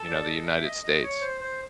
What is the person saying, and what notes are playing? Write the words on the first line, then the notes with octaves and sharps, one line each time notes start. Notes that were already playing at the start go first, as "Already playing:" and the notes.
you know, t he United States.
Already playing: A4
D5
D#5
E5
D#5
D#5
C#5
C5
C5